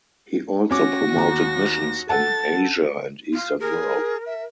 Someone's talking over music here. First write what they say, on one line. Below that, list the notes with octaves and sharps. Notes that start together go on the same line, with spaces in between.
He also promoted missions in Asia and Eastern Europe.
C#4 F#4 D6 A#6
D#2 A#5
A4 F#5 A5 A6
F4
G#4 A#4
E5